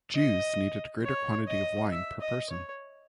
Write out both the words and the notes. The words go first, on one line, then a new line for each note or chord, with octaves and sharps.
Jews needed a greater quantity of wine per person.
D#5
C#5
D#5
E5
D#5
C#5